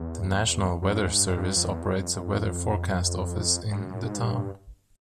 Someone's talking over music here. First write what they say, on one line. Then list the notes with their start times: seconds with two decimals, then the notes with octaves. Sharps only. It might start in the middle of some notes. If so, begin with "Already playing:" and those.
The National Weather Service operates a Weather Forecast Office in the town.
Already playing: E2
0.82 F#2
1.00 G#2
1.19 G2
1.37 G2
1.56 F2
1.69 E2
1.82 F2
3.71 G2
3.79 F#2
4.07 G#2
4.17 G2